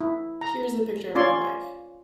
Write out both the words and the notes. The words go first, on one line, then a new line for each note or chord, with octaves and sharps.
Here's the picture of my wife.
E4
A#5
C#4 F4 C#5 D5 C6